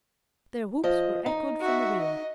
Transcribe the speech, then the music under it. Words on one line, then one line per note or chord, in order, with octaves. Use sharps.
Their whoops were echoed from the rear.
F3 D#5
D#4
F#4 E5
D#5